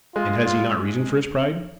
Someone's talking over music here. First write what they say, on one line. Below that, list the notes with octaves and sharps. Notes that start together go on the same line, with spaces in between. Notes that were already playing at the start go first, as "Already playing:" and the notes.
And has he not reason for his pride?
G#3 F4
F4